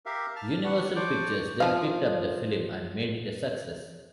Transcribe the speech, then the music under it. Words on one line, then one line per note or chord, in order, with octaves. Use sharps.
Universal Pictures then picked up the film and made it a success.
G4 A#4 E5 F5
A5 F6
D4 B4 F#5 C#6
D4 C5 D5 C#6 D6
F3 F5